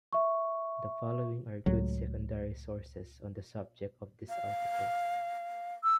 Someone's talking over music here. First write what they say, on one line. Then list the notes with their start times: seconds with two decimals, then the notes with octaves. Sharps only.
The following are good secondary sources on the subject of this article.
0.13 E5 C#6
1.66 C#2 A2 F#3
4.29 F5
5.83 E6